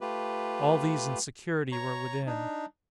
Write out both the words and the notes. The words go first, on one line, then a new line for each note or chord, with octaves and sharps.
All these and security were within.
A3 F4 G4 B4
C#5 A#5 C#6
D4 D#4